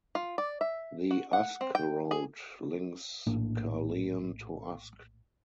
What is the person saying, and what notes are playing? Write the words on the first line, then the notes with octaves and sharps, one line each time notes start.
The Usk Road links Caerleon to Usk.
F4
D5
E5
F#4
F#5
C4
G5
G#4
A#1 A2 A#3 D4